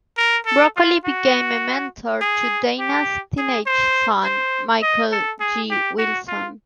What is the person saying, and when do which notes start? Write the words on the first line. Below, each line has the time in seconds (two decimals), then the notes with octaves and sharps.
Broccoli became a mentor to Dana's teenage son, Michael G. Wilson.
0.17 A#4
0.46 A4
0.77 F4
1.05 F#4
2.21 G#4
2.80 G4
3.38 G#4
3.66 C5
4.25 C5
4.82 D#5
5.12 A4
5.40 G#4
5.71 G4
5.98 F#4
6.28 F4